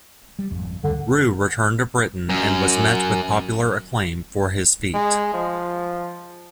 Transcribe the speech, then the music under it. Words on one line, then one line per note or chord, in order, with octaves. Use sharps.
Riou returned to Britain and was met with popular acclaim for his feat.
G3
G#1 F2
D2 G2 D3
F#2
G#3
F3